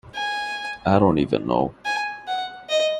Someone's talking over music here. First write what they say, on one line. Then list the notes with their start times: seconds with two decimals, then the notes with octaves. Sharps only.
I don't even know.
0.16 G#5
1.85 G#5
2.28 F#5
2.69 D#5